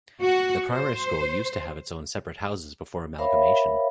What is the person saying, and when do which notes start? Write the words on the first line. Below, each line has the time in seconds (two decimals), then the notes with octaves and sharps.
The primary school used to have its own separate houses before amalgamation.
0.22 F#4
0.72 C5
3.18 A#4 C5 C#5 E5 F5 B5